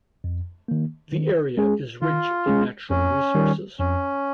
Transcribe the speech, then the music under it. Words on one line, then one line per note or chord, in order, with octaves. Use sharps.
The area is rich in natural resources.
F2
D#3 A#3
D#3
G#3 C#4 G#4
D#3 F4
G#3 C#4 G#4
F2 C#4
D#3 G3
F2 C#4